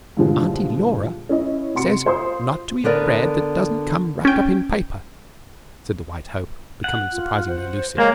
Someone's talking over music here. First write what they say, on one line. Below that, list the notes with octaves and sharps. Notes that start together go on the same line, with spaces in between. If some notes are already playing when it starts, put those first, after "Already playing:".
"Aunty Lora says not to eat bread that doesn't come wrapped up in paper," said the White Hope, becoming surprisingly lucid.
G2 A#2 D3 E3 F3 G#3
C#4 E4 D#5
C3 F#4 C6 C#7
F4 C5 C6 D#6
D3 B3 A#4 D5
C#4 G5
F#5
F4
C5
G#3 A#3 C#5